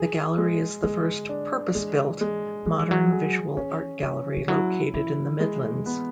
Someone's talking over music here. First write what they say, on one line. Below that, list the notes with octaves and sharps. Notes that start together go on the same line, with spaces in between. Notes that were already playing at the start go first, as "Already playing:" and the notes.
The gallery is the first purpose-built, modern visual art gallery located in the Midlands.
Already playing: E3 G#4
G#3
D3 G#3
D4
E3 G#3
G#3
F#3 G#3
E3
F#3
G#4
E3 C#4
E3 C#4
E3
F#3 E4
E3 E4
G#3
B3